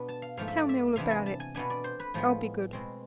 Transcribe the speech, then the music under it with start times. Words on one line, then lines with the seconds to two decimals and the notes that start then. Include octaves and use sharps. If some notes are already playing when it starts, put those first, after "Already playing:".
"Tell me all about it; I'll be good."
Already playing: B2 B3 D4
0.08 A5
0.22 F5
0.37 G#2 F3 A3 F5
0.48 E5
0.58 D5
0.69 E5
0.96 C3 E3 B3 D4 F5
1.10 G#5
1.26 A5
1.40 G#5
1.55 B2 B3 D4 G#5
1.70 D5
1.84 C5
2.00 B4
2.14 A2 F3 G#3 B3
2.73 B2 G#3 C4